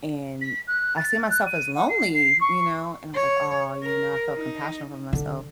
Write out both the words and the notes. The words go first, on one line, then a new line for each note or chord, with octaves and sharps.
And I see myself as lonely, you know? And I was like, "Aw," you know, I felt compassion for myself.
B6
F#6
A6
F#6
D#7
F#5
C7
C7
C#6
C#5
A#4
D#4
D3